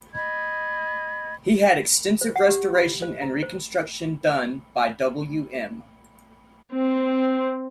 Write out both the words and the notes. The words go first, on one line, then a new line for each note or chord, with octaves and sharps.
He had extensive restoration and reconstruction done by Wm.
D#5 B5 G#6
C5
F#5
G4
B5
C5
A#5
C5
C4